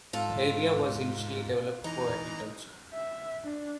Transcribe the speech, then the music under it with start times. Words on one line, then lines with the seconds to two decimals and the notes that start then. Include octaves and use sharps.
The area was initially developed for agriculture.
0.13 G#2 F4 A4
1.84 E3 D#4 A#5
2.93 E5
3.44 D4